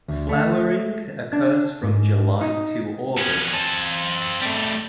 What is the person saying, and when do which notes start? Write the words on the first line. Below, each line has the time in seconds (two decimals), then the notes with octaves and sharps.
Flowering occurs from July to August.
0.08 D2
0.29 A3
1.33 D4
1.83 G#2
2.41 D#4
3.18 B3 C#4
3.54 C4 A5
4.41 G3 A3